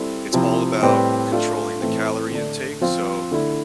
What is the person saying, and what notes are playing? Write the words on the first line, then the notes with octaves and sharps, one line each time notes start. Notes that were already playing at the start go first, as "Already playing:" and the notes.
It's all about controlling the calorie intake, so
Already playing: G3 C4 E4 A4
C3 F3 C4 E4
A2 G3 C4 G4 B4
A3 D4 F4
A2 E3 A3 C4
D3 A3 D4
F3 C4 F4 C5
D3 A3 E4